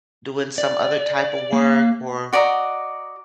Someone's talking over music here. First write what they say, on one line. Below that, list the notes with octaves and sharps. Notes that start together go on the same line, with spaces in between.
doing some other type of work or,
D5
A#3
F#4 D5 D#5 A#5